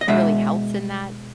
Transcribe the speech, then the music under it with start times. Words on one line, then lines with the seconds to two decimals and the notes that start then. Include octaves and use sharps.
really helps in that
0.01 D#5
0.08 B2 G#3 B3 E5